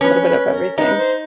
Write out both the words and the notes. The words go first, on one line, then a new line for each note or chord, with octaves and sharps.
a little bit of everything.
C#4 B4
B4
A#4
D#4 B4
C5